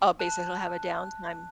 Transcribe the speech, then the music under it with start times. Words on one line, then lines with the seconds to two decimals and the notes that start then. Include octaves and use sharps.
Oh, basically I'll have a downtime.
0.19 A5 F#6